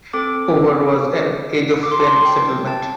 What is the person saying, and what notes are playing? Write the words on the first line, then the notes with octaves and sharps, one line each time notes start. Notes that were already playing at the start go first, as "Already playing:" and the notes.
Over was an edge-of-fen settlement.
C4 A4 D6
D6
C6
A5
C6
G5
A5